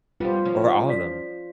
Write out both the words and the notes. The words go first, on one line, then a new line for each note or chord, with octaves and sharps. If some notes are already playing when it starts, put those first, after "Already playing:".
Or all of them?
G3 B3 F4 G4 C5
F3 C#4
D5 B6